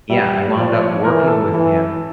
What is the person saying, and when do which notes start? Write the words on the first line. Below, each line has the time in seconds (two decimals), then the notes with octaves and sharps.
Yeah, I wound up working with him,
0.10 G3 E5
0.56 F3 D5
0.80 C#5
1.04 E3 A#4
1.27 A4
1.51 E3